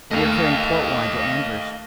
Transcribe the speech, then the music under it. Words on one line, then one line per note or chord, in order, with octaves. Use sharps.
"We are carrying port wine to Anvers."
D#2 A3 D#5 F5